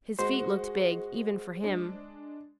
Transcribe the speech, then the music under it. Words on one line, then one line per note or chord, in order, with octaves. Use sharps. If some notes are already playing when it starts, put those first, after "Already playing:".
His feet looked big, even for him.
G#3 F#4 G#4 C5
G#3 D4